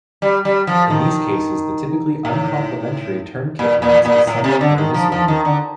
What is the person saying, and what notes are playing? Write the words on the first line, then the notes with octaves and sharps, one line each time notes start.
In these cases the typically uncomplimentary term kit lens' is somewhat of a misnomer.
G3
G3
F3
D#3
A2
A#2
A#2
A#2
A2
C3
D3
D#3
F3
F3
D#3
D3